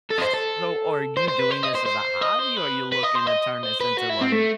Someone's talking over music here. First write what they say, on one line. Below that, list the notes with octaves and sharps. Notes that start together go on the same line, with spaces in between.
So, are you doing this as a hobby, or are you looking to turn this into, like,
A4
D#5
C5
A4
C5
C5
B4
C5
D#5
C5
C5
D#5
C5
B4
B4
D#5
C5
D#5
C5
B4
F#4
E4
C4
A3